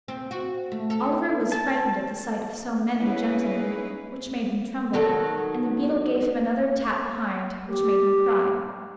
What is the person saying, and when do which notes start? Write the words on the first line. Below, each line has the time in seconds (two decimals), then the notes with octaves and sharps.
Oliver was frightened at the sight of so many gentlemen, which made him tremble: and the beadle gave him another tap behind, which made him cry.
0.08 C4
0.31 F#4
0.72 A3
0.90 A4
1.52 A5
2.94 A#3 C#4 D#4 E4 G#4 B4
4.93 D#3 F#3 A4
7.67 G4